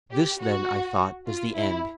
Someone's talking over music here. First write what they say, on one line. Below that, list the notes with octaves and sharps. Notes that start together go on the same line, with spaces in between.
This, then, I thought, is the end.
G4
F#4
F4
E4